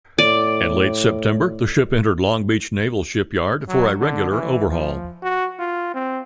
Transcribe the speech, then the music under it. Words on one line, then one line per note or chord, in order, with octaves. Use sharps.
In late September, the ship entered Long Beach Naval Shipyard for a regular overhaul.
A2 D5
F#3
D3
E3
F3
F#4
F4
C4